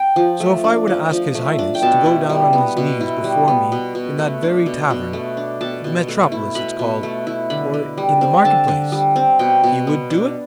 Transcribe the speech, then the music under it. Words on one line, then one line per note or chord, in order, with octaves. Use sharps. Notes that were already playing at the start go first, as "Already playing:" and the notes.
"So if I were to ask his highness to go down on his knees before me in that very tavern--'The Metropolis' it's called--or in the market-place, he would do it?"
Already playing: G5
F3
A3
D4
F3
F3
A3
D4
G5
B2 A5
E4
G3
B3
B2
E4
G3
B3
B2
B2
A3
D4
B2
B2
A3
D4
B2 A5
B2
A3
E4
B2 B5
B2
A3
E4
D3 B5
D3
G3
C4
D3 A5
D3
G3
C4
B2 G5
B2
B3
D4